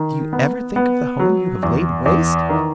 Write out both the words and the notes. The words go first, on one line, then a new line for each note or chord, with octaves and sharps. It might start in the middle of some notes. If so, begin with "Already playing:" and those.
Do you ever think of the home you have laid waste?'
Already playing: D#3
B3
B3
F#3
E2
E2
D#3